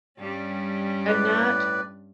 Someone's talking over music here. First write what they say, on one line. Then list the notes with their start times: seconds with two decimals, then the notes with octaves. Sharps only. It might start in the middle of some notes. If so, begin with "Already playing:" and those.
I'm not
0.19 G2 G3 C#4
1.07 A2 B4 D5